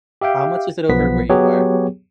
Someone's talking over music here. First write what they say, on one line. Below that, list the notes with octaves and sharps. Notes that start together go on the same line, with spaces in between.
How much is it over where you are?
G4 E5 F5 G5
B1 F3 B3 B4 B6
F#3 B3 G4 G#4 C#5